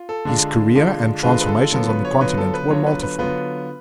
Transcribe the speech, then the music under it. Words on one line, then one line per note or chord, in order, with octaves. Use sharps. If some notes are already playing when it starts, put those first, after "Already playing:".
His career and transformations on the Continent were multiform.
Already playing: F4
A4
D3 G#3 D4 F4
D3 G#3 D4 F4
D3 G#3 D4 F4 B4
B4
A4
D3 F#3 B3 F4 A4
B4
C#5
D3 F#3 B3 F4 B4
A4
B4
D3 F#3 B3 F4 C#5
B4
B4
D3 F#3 B3 F4 B4